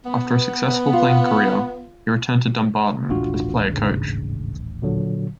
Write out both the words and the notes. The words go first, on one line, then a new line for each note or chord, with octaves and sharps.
After a successful playing career, he returned to Dumbarton as player-coach.
B3
F4
D#1 A1 D4 F4 F#4
G#2 C#3
A#2 D3 F#3